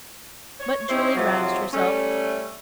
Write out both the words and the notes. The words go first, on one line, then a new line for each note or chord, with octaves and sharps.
But Julie roused herself.
C#5
C4 C#4 D#4 E4 G4 C5
G#2 C3 F3 F#3
G3 A3 C#4